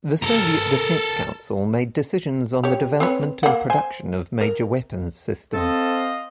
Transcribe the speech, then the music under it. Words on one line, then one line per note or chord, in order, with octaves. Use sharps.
The Soviet Defense Council made decisions on the development and production of major weapons-systems.
A4 A#4
G4 C#5
C4 B4 C#5
A#3 F#5
C5 G#5
A#4
C4 A4 C5 D#5 F5